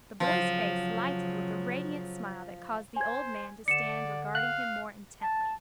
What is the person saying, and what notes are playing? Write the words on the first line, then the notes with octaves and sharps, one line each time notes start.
The boy's face lighted with a radiant smile that caused the old man to stand regarding him more intently.
C#3 F3 F#3
C5 G#5 G#6
D3 D5 C#7 E7
F5 F#6
A5